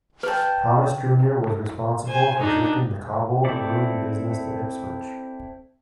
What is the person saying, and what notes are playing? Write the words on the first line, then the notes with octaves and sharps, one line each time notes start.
Thomas junior was responsible for shifting the Cobbold brewing business to Ipswich.
B4 D5 G5 A5
C5 G#5
D4 D#4
C4 E4 A4 D5